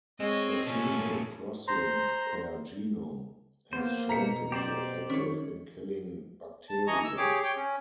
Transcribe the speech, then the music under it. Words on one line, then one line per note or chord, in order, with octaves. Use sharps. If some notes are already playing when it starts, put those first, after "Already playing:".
A single crosslink per genome has shown to be effective in killing bacteria.
G#3 C4 C#5 D#5
A#2 A3 C#4 A5
C5 A#5 C6
A#3 B3 C5
B2 A#5 B6 C#7
G4 C5 D5
D#3 C#4 C#5
A5
E3 D#5 G#5 A#5 C#6
E6
G4 G#4 C#5 D6
C#5 G5
C#4